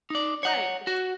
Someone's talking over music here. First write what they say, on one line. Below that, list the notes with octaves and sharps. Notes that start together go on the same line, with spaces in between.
Right, it's
D#4 D5
C#5 F#5
F#4